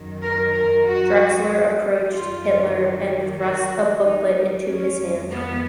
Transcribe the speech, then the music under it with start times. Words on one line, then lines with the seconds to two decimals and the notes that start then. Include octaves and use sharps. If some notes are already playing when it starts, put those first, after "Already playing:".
Drexler approached Hitler and thrust a booklet into his hand.
Already playing: F#2 D#3 F#3
0.23 A#4
0.54 A#4
0.86 F#4
2.13 F#2 D#3 F#3 F4
3.40 F#4
4.03 D#4
4.67 F2 D#3 G#3 C#4
5.31 B3